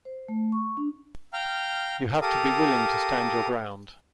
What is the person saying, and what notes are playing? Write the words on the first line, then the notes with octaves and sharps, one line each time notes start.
You have to be willing to stand your ground.
C5
A3
C#6
D4
F5 G5 A#5 F6
G4 A4 A#4 F5 A#5 D#6